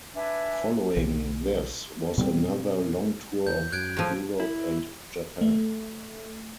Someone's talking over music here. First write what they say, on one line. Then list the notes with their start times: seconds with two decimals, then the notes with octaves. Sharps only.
Following this was another long tour of Europe and Japan.
0.14 D4 B4 E5 G#5
0.97 B1
2.18 B2 G3 A3 C4
3.47 E2 G6
3.72 F#2 F#6 G#6 D7
3.97 A2 F3
4.40 E4
5.41 A3